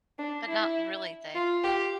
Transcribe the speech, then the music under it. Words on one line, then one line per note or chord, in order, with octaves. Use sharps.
but not really thick.
D4
E4
F4
G4